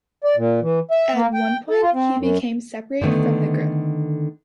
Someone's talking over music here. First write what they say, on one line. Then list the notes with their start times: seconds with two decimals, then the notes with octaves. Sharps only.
At one point, he became separated from the group.
0.24 D5
0.37 A#2
0.62 E3
0.91 E5
1.15 A#3
1.34 G5
1.70 A4
1.82 F4
1.94 C4
2.18 F#2
3.02 D3 D#3 A3 B3